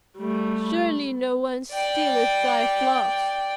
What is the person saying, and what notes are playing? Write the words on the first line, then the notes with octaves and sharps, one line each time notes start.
Surely no one stealeth thy flocks?
G3 A3
D5 G5